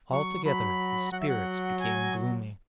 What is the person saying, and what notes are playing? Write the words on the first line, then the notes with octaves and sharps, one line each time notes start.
Altogether his spirits became gloomy.
F#3 C#6
F#3 B5
F#3 F#5
E5
F#5
G#5